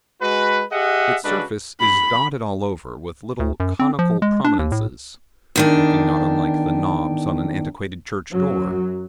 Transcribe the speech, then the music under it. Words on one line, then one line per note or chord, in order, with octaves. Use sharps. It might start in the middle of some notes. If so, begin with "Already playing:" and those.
Its surface is dotted all over with little conical prominences, looking not unlike the knobs, on an antiquated church door.
G#3 F#4 B4
G4 G#4 D#5 E5 F#5
C#3 G#3 D4 F#4 A4 B4
B5
D2
F#2
C4
F3
G#3
D4
D#2
A2
E2 D#3 D4
F#2 F#3